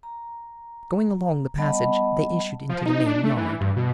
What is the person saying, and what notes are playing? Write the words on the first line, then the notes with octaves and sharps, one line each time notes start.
Going along the passage they issued into the main yard.
A#5
G3 B3 D#5 F#5 A5 B5
F3
D#4
D4
A3
E3
G2
B2